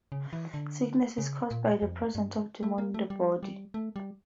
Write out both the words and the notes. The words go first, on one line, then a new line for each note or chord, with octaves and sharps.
Sickness is caused by the presence of a demon in the body.
C#3
E3
D3
C#3
A#2
F2
G2
A3
A#3
A3
G3
G3
A3
G3